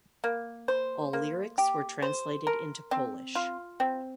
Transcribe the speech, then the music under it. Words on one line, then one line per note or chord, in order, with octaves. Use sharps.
All lyrics were translated into Polish.
A#3
C5
A#3
G4
C5
A#4
C4
F4
C4